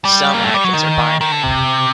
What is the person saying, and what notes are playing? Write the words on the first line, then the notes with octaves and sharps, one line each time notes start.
Some actions are binary.
G3
A#3
A3
G3
F#3
D#3
D#3
D3
C3